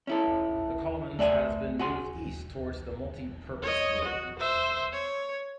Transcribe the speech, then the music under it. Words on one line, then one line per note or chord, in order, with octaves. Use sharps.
The commons has been moved east towards the multi purpose room.
C#4 E4 A4
A3 D5 E5 G#5
F#4 G#5 C6
C#5 D#5
F#4
C5 E5
C#5